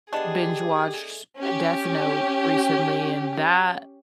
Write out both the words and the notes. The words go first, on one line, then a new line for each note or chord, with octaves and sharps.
binge-watched Death Note recently and that
A3 B3 D4 G4 G#4 D#5
C#4 G4